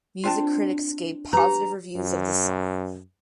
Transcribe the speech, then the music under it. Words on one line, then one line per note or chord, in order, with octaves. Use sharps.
Music critics gave positive reviews of the song.
C4 D4 F4 G5 A5
G4 B4 A#5
F#2